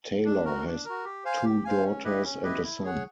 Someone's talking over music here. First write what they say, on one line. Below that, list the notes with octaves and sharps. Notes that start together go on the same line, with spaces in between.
Taylor has two daughters and a son.
D4
F#4 A#4
D4
F#4 A#4
G4
C5 F5 G#5
G4
C5 F5 G#5
C#4
E4 G4 B4 D#5
C#4
E4 G4 B4 D#5
E4
G#4 C#5 F#5